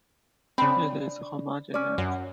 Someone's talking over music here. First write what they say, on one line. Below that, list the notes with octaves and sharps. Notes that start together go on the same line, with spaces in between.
It is homogenized.
C#3 C4 D4 B5
C#4 D5
F#2 F#5